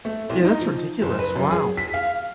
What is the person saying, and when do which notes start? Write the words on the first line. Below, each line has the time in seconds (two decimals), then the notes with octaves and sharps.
Yeah, that's ridiculous. Wow.
0.05 A3
0.30 C2
0.45 D#4
0.61 F3
1.02 F#1
1.19 B4
1.36 F#2
1.51 G#4
1.77 B6
1.94 F5